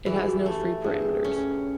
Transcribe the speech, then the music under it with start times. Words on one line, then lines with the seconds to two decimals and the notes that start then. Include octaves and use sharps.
It has no free parameters.
0.06 E3 G#4
0.17 G4
0.28 F#4
0.39 G4
0.46 A3
0.84 G2 G#4
1.24 C#4